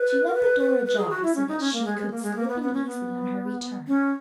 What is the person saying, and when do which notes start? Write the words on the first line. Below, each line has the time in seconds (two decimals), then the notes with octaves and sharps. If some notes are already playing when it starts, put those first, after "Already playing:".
She left the door ajar, so that she could slip in easily on her return.
Already playing: B4
0.27 A#4
0.34 B4
0.59 B4
0.85 B4
0.97 G#4
1.10 F#4
1.23 E4
1.35 C#4
1.48 D#4
1.60 C#4
1.73 A#3
1.85 G#3
1.98 G#3
2.11 A#3
2.23 G#3
2.36 A#3
2.48 B3
2.61 B3
2.74 C#4
2.86 B3
3.87 C#4